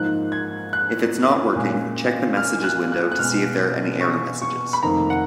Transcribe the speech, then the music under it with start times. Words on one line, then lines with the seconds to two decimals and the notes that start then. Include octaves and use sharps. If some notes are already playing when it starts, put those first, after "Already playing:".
If it's not working, check the messages window to see if there are any error messages.
Already playing: G#2 F3 A#3 D#4 F#6
0.32 G#6
0.73 F#6
1.56 A#2 G#3 C#4
2.37 F6
2.64 F#6
2.92 F#6
3.12 F#6
3.19 B2 G#3 B3 F6
4.01 C#6
4.42 C#6
4.73 B5
4.82 F1 F2 D#3 A#3 D#4 A#5
5.10 F#5